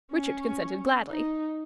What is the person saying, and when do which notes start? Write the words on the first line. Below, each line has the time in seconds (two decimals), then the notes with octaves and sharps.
Richard consented gladly.
0.13 C#4
1.10 D#4